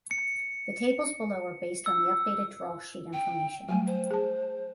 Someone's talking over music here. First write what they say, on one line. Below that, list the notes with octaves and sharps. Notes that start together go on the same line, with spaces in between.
The tables below are based on the updated draw sheet information.
C#7
E6
G5
F#3 G3 A3 G#5
C5
G#4 A5